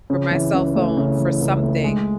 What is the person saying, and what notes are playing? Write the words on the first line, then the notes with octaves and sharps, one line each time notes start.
for my cell phone for something
C#3
E3
C#2
A3
C#3
E3
C#2
A3
G#3